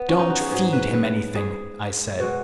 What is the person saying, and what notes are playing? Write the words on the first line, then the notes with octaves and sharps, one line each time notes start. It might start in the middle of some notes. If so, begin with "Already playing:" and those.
"Don't feed him anything," I said.
Already playing: B3
C#4
D#4
F#4
G#4
G#2 F#3 G#4
B4
B4
G#4
B2 G#3 F#4